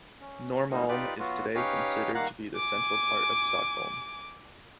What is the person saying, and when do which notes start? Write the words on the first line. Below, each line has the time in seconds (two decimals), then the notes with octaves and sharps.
Norrmalm is today considered to be the central part of Stockholm.
0.21 C#4
0.71 A2 D3 E3 G3 A#3 D#4
0.89 D#4 F4 G4 B4 D5
1.19 F#3 B3 F4 F#4
1.55 C#4 D#4 G4 B4 C#5 F5
2.15 D#3 G3 A#3 F5 F#5 A#5
2.56 G#5 D6